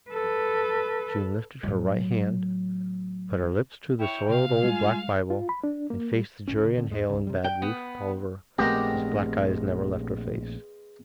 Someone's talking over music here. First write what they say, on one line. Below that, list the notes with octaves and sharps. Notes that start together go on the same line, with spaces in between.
June lifted her right hand, put her lips to the soiled, old, black Bible and faced the jury and Hale and Bad Rufe Tolliver whose black eyes never left her face.
A4 B4
A2 F#3
E4 C#5 G5
C3 F5
G3 G#3 F4 G#5
F4
B5
D4
A#3
G3
D1 A#1 C#4
C#3
D3 C4
E2 G#3
C#2 C#3
C3 G3
G5
B3
A#1 G#3 A3 B3 C4 G4 A#4